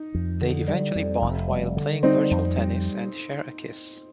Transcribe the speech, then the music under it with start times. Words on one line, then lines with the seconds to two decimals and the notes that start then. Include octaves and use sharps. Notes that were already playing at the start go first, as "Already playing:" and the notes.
They eventually bond while playing virtual tennis and share a kiss.
Already playing: D#4
0.14 F2
0.41 D3
0.68 G3
0.95 F2
1.22 F1
1.49 G3
1.77 D3
2.03 G3 C4 D#4
2.31 F2
2.58 G3